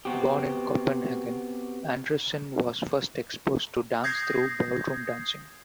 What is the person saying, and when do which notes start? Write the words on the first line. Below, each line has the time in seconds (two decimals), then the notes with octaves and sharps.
Born in Copenhagen, Andersen was first exposed to dance through ballroom dancing.
0.05 B3 C4 F#4 G4
4.04 D#6 G6 G#6 A#6 C7